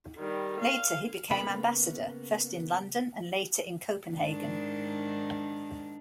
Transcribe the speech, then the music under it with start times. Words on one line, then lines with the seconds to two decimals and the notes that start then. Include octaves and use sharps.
Later he became ambassador, first in London and later in Copenhagen.
0.19 D#3 G3
0.61 F5
1.31 C#3 A#3 B3 B5
4.15 G#2 D#3 D4